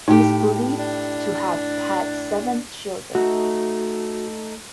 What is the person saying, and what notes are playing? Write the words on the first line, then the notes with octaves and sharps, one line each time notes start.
He is believed to have had seven children.
A2 D#4 G4
D4
A3 D#4 F#4